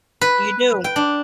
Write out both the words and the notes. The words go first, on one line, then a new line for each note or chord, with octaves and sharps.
You do.
B4
G5
D4